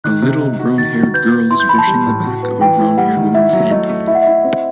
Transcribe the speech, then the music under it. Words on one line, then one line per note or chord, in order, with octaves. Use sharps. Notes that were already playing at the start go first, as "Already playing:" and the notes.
A little brownhaired girl is brushing the back of a brownhaired woman 's head.
D#3 F#6
C3
D#4
F#4
D#3 A6
F#4
B4 G6
B3
E4 C6
G6
E3 B5
A5
G3
A2
F#4
B3
E3 G5
E4
G3 F#5
D#3
E4 E5
F#3
A3 D#5
A3
E4 E5
F#5
E4 E5
C4